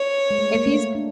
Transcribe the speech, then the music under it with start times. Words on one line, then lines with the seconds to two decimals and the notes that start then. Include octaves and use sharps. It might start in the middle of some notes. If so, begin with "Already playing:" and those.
if he's
Already playing: C#5
0.31 G#3
0.39 A3
0.55 A#3
0.66 A3
0.95 D4